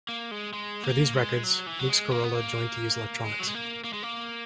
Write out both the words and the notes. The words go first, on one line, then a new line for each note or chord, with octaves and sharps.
For these records, Luke Scarola joined to use electronics.
A#3
G#3
G#3
A#3
G#3
F#3
E3
F#3
G#3
A#3
B3
A#3
G#3
F#3
G#3
A#3
A#3
G#3
A#3